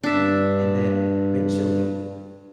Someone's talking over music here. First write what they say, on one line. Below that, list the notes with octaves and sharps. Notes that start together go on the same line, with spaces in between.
and then, eventually,
G2 D4 E5